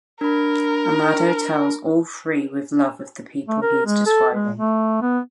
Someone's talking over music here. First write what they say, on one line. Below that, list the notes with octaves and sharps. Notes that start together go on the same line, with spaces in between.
Amado tells all three with love of the people he is describing.
D4 A#4 B5
A3
A#4
G#3
A4
G#3
A3
B3